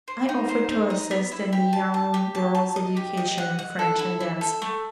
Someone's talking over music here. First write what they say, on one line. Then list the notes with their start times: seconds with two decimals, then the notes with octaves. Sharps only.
I offered to assist in the young girl's education in French and dancing.
0.08 C5
0.29 D#4
0.49 C5
0.70 D#4
0.90 D#5
1.11 B3
1.32 E4
1.53 G4
1.73 A5
1.94 A5
2.14 G4
2.35 A5
2.55 A5
2.76 D#5
2.97 G4
3.17 D#5
3.38 F#5
3.59 F#5
3.79 A4
3.99 E4
4.20 E4
4.41 A4
4.62 A3